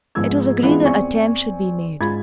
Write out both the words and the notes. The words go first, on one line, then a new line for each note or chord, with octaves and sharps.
It was agreed the attempt should be made.
G#2 F3 B3 G#4 E6 G#6
E3 G#3 B3 C#4 F4
E2 C4 D5 G#5 C#6
G#2 F4 G#4 B5 G#6 A6